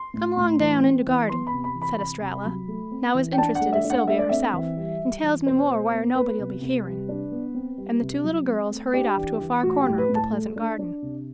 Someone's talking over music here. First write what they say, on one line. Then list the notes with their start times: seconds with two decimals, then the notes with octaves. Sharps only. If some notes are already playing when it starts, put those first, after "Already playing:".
"Come 'long down in de garden," said Estralla, now as interested as Sylvia herself, "an' tells me more whar' nobody'll be hearin'," and the two little girls hurried off to a far corner of the pleasant garden.
Already playing: C6
0.14 A2
0.37 A2
0.60 E3
0.83 C4
1.06 E3
1.29 B3 C6
1.47 B5
1.53 C3
1.64 B5
1.75 E3
1.82 B5
1.99 C3 B5
2.22 C3
2.45 F#3
2.68 A3
2.91 C4
3.15 E3
3.33 G5
3.38 D4 A5
3.55 F#5
3.61 A3
3.73 E5
3.84 D4
3.90 F#5
4.07 A3 E5
4.18 D5
4.29 C4 E5
4.53 E3
4.77 G3
5.00 G3
5.23 E3
5.46 B2 C5
5.69 B2
5.92 B3
6.15 B3 B4
6.39 C3
6.62 C3
6.85 G3
7.09 D4
7.32 B3
7.55 C4
7.78 G3
8.01 C3
8.24 F#3
8.47 C4
8.70 A3
8.93 D4 G4
9.17 E3
9.40 E3
9.63 A2 F#4
9.80 G4
9.86 A2
9.98 B4
10.09 A2
10.15 A5
10.32 A3
10.56 D4
10.79 D4
11.02 C3